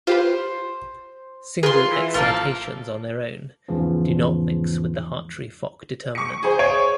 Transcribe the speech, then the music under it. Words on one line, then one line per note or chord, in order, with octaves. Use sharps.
Single excitations on their own do not mix with the Hartree-Fock determinant.
F4 G4 B4 C5
F4 G#4 A#4 B4 C6
E3
A1 F3 A#3 F4 A4 A#4
E2 G#2 C#3 E3 F3
C#6 C#7
G#4 C5
C#5